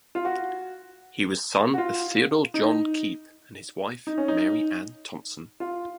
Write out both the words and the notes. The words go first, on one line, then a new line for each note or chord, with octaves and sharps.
He was son of Theodore John Keep and his wife Mary Ann Thompson.
F4
F#4
F#4
F4
D#4
D#4
C#4
D#4
F4